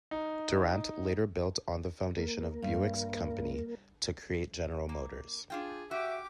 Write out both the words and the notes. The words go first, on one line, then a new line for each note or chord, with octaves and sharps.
Durant later built on the foundation of Buick's company to create General Motors.
D#4
A#3 A#4
G2
A#3
D4 F4 G#4 G5
F#4 G4 E5 D6